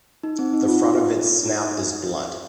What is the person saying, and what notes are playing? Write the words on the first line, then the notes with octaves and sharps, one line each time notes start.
The front of its snout is blunt.
D#4
C4
D#4
F4
D#4